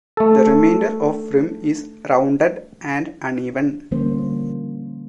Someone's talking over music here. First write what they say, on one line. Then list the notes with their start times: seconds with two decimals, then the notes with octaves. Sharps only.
The remainder of rim is rounded and uneven.
0.17 A3 A4
3.91 D3 F3 G3 A#3 C#4 C5